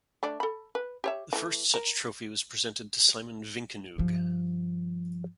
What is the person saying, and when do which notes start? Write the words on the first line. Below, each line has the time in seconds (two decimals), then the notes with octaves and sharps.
The first such trophy was presented to Simon Vinkenoog.
0.23 A3 D4 D5
0.40 A4 B5
0.75 B4
1.04 G4 C#5 E5
1.33 E3 A3
1.74 A#4
3.98 G2 F3